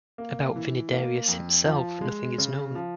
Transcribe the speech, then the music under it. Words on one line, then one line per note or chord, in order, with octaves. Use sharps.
About Vinidarius himself nothing is known.
A#3
E3
A#3
F2
F3
G#3
C#3
F3